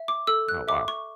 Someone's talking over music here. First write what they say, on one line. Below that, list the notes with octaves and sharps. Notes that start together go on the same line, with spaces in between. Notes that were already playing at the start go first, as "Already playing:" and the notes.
Oh, wow.
Already playing: E5
D6
A4 E6
F#6
E5 D6
C#6